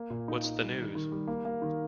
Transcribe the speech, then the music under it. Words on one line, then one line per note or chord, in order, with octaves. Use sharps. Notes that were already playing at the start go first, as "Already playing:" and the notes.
What's the news?
Already playing: A#3
A#2
D#4
D#4
G3
D#3
D#3
G3
A#3
A#3
D#3